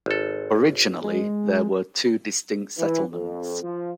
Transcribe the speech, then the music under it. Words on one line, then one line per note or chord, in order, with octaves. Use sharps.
Originally, there were two distinct settlements.
G#1 A4
G#3
E3
F2
F3